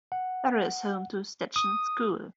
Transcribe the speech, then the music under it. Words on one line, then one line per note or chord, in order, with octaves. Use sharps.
Barre is home to Stetson School.
F#5
D#6